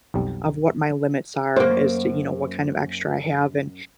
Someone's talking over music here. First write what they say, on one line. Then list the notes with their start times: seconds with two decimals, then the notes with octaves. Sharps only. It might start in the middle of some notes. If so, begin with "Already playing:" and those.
of what my limits are as to, you know, what kind of extra I have, and
0.14 B1 F2 G3
1.56 F#2 A#3 C5